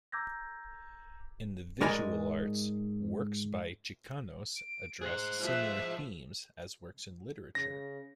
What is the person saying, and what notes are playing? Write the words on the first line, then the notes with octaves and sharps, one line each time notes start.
In the visual arts, works by Chicanos address similar themes as works in literature.
A#5 D6 E6 G6 G#6 A#6
G#2 G#3 A#4 D5 G#5 B5
D7
G#4 C5 F#6
F3 E5
C#3 A#6